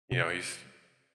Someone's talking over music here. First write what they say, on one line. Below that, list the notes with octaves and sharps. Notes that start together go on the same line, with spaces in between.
you know, he's,
C3